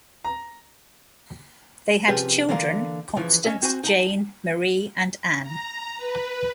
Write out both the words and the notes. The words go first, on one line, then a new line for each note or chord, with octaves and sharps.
They had children Constance, Jane, Marie and Ann.
A#5
C3 F3 C#4 G4 G#4 B4
D3 E3 A#3 A#4 F5
C#3 E3 F3
C#4 C#5 D#5 E5
C4 F#4 C5 G#5
D#4 A5
A#5
B4